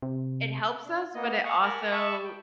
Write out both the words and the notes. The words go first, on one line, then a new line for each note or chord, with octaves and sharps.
it helps us, but it also
C3
D4
A#3 B3 D#5
F5 F#5 C#6 D#6
A#4 F#5 G#5 A5 B5 F6
E5 A5 B5 C#6 E6
G5